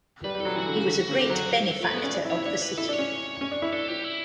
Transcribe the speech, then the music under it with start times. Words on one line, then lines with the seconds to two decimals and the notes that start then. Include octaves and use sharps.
He was a great benefactor of the City.
0.24 G3 B4
0.35 G3
0.40 F#3 A4
0.56 E3 F#4
0.66 D3
0.77 C#3
0.87 D3
1.09 C#3
1.19 D3 G4
1.30 F#3
1.35 F#4
1.51 G4
1.62 G4
1.72 A4
1.83 A3 B4
1.93 B3
1.98 D5
2.04 C#4
2.14 D4
2.25 E4
2.30 C#5
2.35 E4
2.45 D4 C#5
2.62 B4
2.77 E4 A4
2.89 D4
2.93 C#5
2.99 C#4
3.41 C#4
3.51 D4
3.62 E4
3.72 D4 A4
3.88 G4
4.04 E4